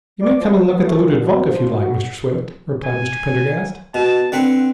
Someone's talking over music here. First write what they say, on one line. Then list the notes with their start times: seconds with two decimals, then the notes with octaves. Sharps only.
"You may come and look at the looted vault, if you like, Mr. Swift," replied Mr. Pendergast.
0.21 D5
0.40 F3
0.68 B3
0.86 A3
0.99 A#2
1.18 B2
1.48 F3
1.69 B2
1.82 F#4
2.84 G#5
3.94 B2 A5
4.32 D3 C4 B4 F#5